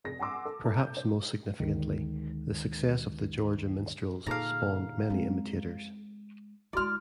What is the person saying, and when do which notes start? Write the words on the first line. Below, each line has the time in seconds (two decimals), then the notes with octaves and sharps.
Perhaps most significantly, the success of the Georgia Minstrels spawned many imitators.
0.04 F1 G#4 A#6
0.19 F#5 G#5 C6 D6 E6
0.45 A4
0.64 E4 A4 A5 A#5
0.79 G6
0.97 C5
1.60 D2 D#3 G#3
4.27 A#2 D3 D#4 G#4 A4 F5 A#5
5.10 G#3 C4
6.73 D#3 G#3 E4 F#4 D5 C6 F6